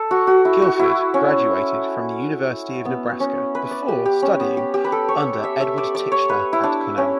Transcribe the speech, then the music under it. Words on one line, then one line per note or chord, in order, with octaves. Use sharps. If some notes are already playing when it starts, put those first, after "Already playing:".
Guilford graduated from the University of Nebraska before studying under Edward Titchener at Cornell.
Already playing: A4
F#4
F#4
E4
F#4
E4
C#4
B3
C#4
B4
D5
G4
G4
C#4
B3
G4
G4
B4
A4
C#5
E5
E5
D5
D5
C#5
B4
E4
D4
C#4